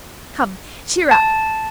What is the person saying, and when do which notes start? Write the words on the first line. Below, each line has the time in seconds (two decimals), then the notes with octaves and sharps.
Come, cheer up.
1.11 A5